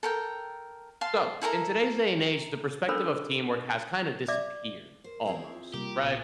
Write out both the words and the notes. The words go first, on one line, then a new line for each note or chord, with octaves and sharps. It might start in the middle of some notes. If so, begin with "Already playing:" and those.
So, in today's day and age, the perspective of teamwork has kinda disappeared, almost, right?
A4 A#4 G5
F5 A5 C6
E4 A4 A#4 A#5
C#4 D4 A4 A#4 C5 B5
D5 E5 F5 D6
A#4 C5
C4 E4 G#4
F4
C3 G3 A#3 G4 A#4
A#1 B3